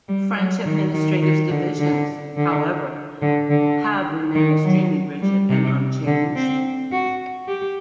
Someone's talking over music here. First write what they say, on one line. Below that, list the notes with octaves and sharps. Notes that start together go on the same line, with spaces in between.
French administrative divisions, however, have remained extremely rigid and unchanged.
G3
F#3
D#3
D#3
D#3
D3
D3
D3
D3
D3
D#3
F#3
G3
C3
D3
C4
F#4
G4